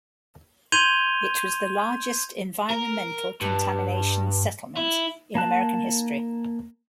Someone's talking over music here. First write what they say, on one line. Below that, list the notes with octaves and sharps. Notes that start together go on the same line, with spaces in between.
It was the largest environmental contamination settlement in American history.
C6 G6 G#6 D#7 F7 G7
A#4
G2
E4
A#3 A5 F#6